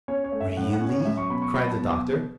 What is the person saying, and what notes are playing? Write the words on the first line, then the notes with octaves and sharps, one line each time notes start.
"Really?" cried the Doctor.
C#4 C#5
C#5
A3
E5
A2 F#5
F#5
C#4
C#5
F#3 E5
C#6
B2 B5
C#6
F#3 B5
A5
B2